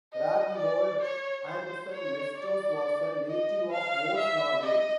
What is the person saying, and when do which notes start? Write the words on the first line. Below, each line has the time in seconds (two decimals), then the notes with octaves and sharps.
Ragnvold Anderson Nestos was a native of Voss, Norway.
0.13 D#5
0.58 D5
1.02 C#5
1.48 C5
1.92 C#5
2.38 D5
3.28 D#5
3.73 F5
4.17 E5
4.62 D#5